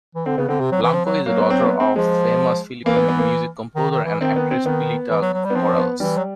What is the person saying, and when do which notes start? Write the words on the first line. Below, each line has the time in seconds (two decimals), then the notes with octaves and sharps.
Blanco is the daughter of famous Filipino Music composer and actress Pilita Corrales.
0.15 E3
0.26 D3 C4
0.38 C#3 B3
0.48 D3 C4
0.60 C3
0.72 F#3
0.83 E3
0.93 F3
1.06 F#3
1.26 F#3 A#3
1.37 B3
1.50 C4
1.60 A#3
1.66 B3
1.80 C4
1.96 F3 G#3
2.85 E3 A#3
2.96 B3
3.08 B3
3.19 A#3
3.75 D#3
3.91 D#3
4.05 E3
4.20 D#3 C4
4.36 B3
4.51 C4
4.65 D#3 B3
5.10 E3
5.21 F#3
5.33 F#3
5.45 G3
5.50 B3
5.55 F3 C4
5.78 B3
6.00 E3 G3
6.18 F#3